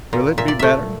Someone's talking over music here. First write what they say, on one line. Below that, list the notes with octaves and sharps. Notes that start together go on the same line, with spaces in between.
"Will it be better?"
A#2
A#2 E5
D5
A3 E5